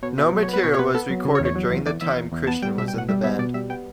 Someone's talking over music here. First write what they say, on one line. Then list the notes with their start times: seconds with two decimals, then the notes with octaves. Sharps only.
No material was recorded during the time Christian was in the band.
0.03 B2 C#5
0.18 B2 E5
0.33 F#3
0.43 C#5
0.48 B3
0.53 B4
0.63 B2 C#5
0.74 C#5
0.79 B3 B4
0.95 B3 A4
1.10 F#3
1.25 C#3
1.35 C#5
1.40 E2
1.45 C#5
1.55 F#3
1.71 E2
1.86 E2 D5
2.01 E2 E5
2.17 E2
2.32 E2
2.47 B3 A5
2.62 G3 G5
2.78 B2 E5
2.88 G5
2.94 B2 F#5
3.09 G3 E5
3.24 B3 E5
3.39 B2 D5
3.54 G3 E5
3.70 B3 G5